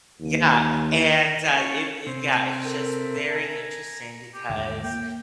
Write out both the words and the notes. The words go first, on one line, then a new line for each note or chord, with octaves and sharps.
Yeah, and, uh, it it yeah, it's just very interesting because,
D#2
C#4 A4 C#5
C3 C4
A4 A#4 E5
G#5 A#5
G4
D#2 G#2 D3
G4
A#3 G5